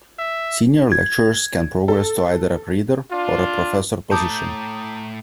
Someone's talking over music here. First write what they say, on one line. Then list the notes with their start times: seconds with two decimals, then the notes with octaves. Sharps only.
Senior lecturers can progress to either a reader or a professor position.
0.19 E5
0.92 G#6
1.88 A4
3.11 D4 F4
4.11 A2 A3 A5 A#5 D6 D#6 G6